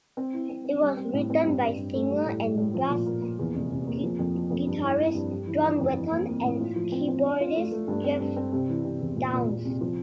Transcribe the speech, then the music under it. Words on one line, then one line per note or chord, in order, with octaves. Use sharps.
It was written by singer and bass guitarist John Wetton, and keyboardist Geoff Downes.
C4
E4
C4
C4
G3
C4
A2
C4
G2
G2
G2
A3
G3
A2
G3
A2
F3
A#2
A#3
A#3
E2
F1
F1
A#3
F3
F2
F3
F2
G2
E4
E4
G2
G3
E3
E3
F2
E3
A#3
A#3
A2
F4
F3
C4
C4
D4
F4
A3
A3
G2
C4
G2
C4
C3
E3
C3
E2
A#2
A#2
A#2
C2
F3